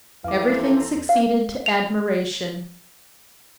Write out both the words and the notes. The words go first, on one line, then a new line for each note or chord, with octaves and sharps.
Everything succeeded to admiration.
F2 E3 A4 C5 F5 A#5 D6
F5
F7